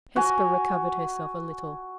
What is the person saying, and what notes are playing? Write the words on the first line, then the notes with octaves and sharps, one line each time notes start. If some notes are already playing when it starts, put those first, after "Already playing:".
Hesper recovered herself a little.
F#4 G#5